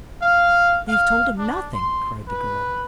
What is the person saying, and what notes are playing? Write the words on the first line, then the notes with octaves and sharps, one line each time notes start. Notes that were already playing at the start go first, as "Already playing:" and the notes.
"They have told him nothing!" cried the girl.
F5
F5
D4
C6
B4